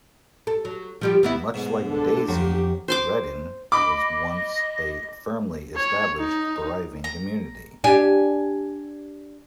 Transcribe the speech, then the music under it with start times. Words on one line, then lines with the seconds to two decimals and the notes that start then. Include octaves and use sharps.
Much like Daisy, Redden was once a firmly established, thriving community.
0.47 A4
0.65 F#3
1.01 F3 G3 G4
1.23 E3 B3 E4
1.54 G#2 B2
1.86 D3 D4 A4
2.28 F2 F#3 G4
2.88 C5 C6 D6
3.72 D#5 B5 D6
5.76 C#5
6.19 D#4
7.04 A#5
7.84 D4 G4 G#5